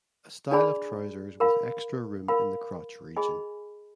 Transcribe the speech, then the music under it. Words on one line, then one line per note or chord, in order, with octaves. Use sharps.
A style of trousers with extra room in the crotch region.
D4 G#4 D5 G#5 B5
A#4 F5 B5
A#4 F5 B5
G#4 D#5 G#5 B5